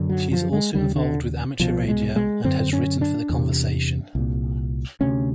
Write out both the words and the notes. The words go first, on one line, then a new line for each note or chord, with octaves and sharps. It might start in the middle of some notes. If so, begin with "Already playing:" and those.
She is also involved with amateur radio and has written for The Conversation.
Already playing: F#2 D3
F#3
F3
G#3
D#2 C#3 G3
D3
C2 B2 F3
G#3
G#3
F#2 D3 C4
C#4
D4
E2 C3
C2 A#2
D2 C3 C#4